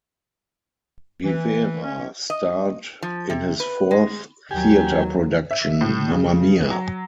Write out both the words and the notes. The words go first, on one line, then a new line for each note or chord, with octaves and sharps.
Rivera starred in his fourth theater production, Mamma Mia!
E3
C#4
D#5
F3
C3
B4
G#3
D#2 F#3 G4 G#5
E5
A2
C#3
F#3